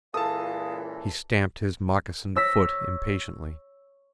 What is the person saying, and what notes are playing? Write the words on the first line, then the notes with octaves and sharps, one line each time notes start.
He stamped his moccasined foot impatiently.
C#2 A#2 E3 A4 F5 A5 D#6
C#5 E6 A#6 B6